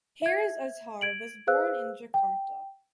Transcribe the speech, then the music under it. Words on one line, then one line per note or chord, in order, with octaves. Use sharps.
Haris Azhar was born in Jakarta.
E5 G#6
G#6 D7 F#7
G#4 B4 C5 F5 E6 F#6
G5